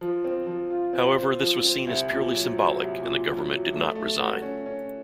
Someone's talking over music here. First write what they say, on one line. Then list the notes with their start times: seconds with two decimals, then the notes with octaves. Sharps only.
However, this was seen as purely symbolic, and the government did not resign.
0.01 F3
0.24 C4
0.47 F3
0.70 F4
0.93 C4
1.16 C5
1.40 F3
1.63 C4
1.87 C2
2.10 A#2
2.34 F#3
2.56 F#3
2.79 C2
3.02 A#2
3.26 F#3
3.50 F#3
3.73 A3
3.95 A3
4.20 F#4
4.42 C#4
4.66 C#4